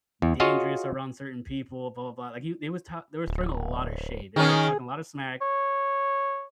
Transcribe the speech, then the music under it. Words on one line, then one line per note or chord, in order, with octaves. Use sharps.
dangerous around certain people, blah blah blah. Like, you they was ta they was throwing a lotta shade. They're, like, talking a lotta smack
E2
F4 F#4 G#4 C#5 D#5 F5
D1
D#3 C#4 G#4
C#5